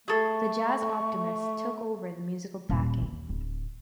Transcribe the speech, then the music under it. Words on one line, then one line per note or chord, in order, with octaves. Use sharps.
The Jazz Optimists took over the musical backing.
A3 G#4 A4 C#6
D#1
D#2
D1